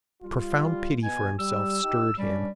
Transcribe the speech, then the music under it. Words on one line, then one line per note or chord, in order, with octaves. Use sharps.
A profound pity for himself stirred him.
G3 F4
B2 G#5
G3 E6
D#4 G4
G2 G3 C#4 D4